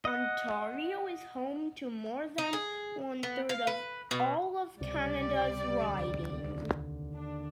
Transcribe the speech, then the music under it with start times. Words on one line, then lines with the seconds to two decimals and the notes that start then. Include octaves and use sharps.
Ontario is home to more than one third of all of Canada's ridings.
0.05 D#5 F#5
2.38 D#4
2.53 G#4
3.23 B3
3.49 F5
3.67 B4
4.11 B2
4.81 C#2 C3 G3 D5
5.78 D#2 D3
7.14 D4